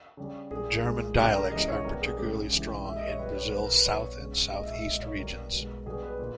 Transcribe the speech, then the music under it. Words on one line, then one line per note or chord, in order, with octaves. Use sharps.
German dialects are particularly strong in Brazil's South and Southeast Regions.
C#3 G3
A#2 G3 G#4
A#2 G#3
C#3 G3 G4
A#4
C#3 E3 G#3 D#5
C#5
B2 G3 A#4
G#4
C#3 G#3 G4
C#3 E3 G#3
A#2 G#3 E5
D#5
C#5
A#2 G3 B4
C#5
A#2 G3 B4
A#4
B4
B2 G3 C#5
C#3 G#3
A#2 G#3 D#5
E5
E5
A#2 G#3 D#5
C#5
B2 G3 A#4
B2 G#3
B2 G3 G#4
B4
A#2